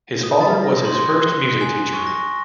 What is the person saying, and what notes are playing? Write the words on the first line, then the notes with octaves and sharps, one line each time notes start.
His father was his first music teacher.
D#6
A6
A#6
C6
F#6
G7
G#5
C#6
A#6